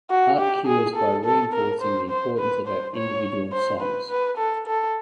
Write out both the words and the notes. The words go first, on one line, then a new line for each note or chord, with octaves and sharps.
Art cures by reinforcing the importance of our individual songs.
F#4
G4
G#4
A4
A4
A#4
C5
C5
B4
C5
C#5
C5
B4
B4
A4
A4